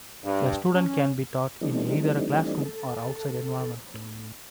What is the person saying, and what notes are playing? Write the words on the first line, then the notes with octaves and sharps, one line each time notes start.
The student can be taught in either a classroom or outside environment.
G2
C#4
E3 G3 A3 C4 D4 D#4
A4
A2